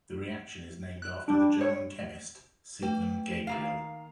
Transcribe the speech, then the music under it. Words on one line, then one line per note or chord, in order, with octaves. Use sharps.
The reaction is named after the German chemist Siegmund Gabriel.
F#6
G3 D4
C#5
A3 B4 G5
D#3 A#3 F5